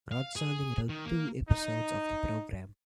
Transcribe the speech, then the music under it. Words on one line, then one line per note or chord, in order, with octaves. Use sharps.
Rod Serling wrote two episodes of the program.
F5
G#4
D#3
A#3
D#4